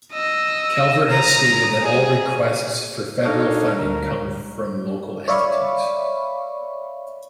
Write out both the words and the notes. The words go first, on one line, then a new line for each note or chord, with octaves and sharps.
Calvert has stated that all requests for federal funding come from local entities.
D#5 E6
A#5 D#6
G#4
D4 D#4 A4 C#5 D#5 F5
D2 A#4
C#5 D5 E5 F5 B5 C#6